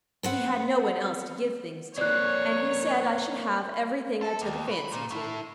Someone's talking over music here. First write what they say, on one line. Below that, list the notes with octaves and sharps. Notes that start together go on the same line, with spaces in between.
He had no one else to give things to, and he said I should have every thing I took a fancy to.
B3 C4 F#5
A#3 C4 C#5 D5 F#6
A4
D#2
B2 B5
A#2
A3 E4